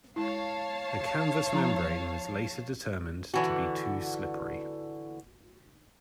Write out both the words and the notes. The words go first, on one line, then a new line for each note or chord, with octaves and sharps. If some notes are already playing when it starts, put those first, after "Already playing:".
The canvas membrane was later determined to be too slippery.
G#3 E4 C#5 F5 A5
F3 E4 A#5
D3 E3 F#4